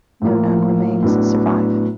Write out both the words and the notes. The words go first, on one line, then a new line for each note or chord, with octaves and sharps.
No known remains survive.
A2 F3 A#3
A2 F#3 B3 D4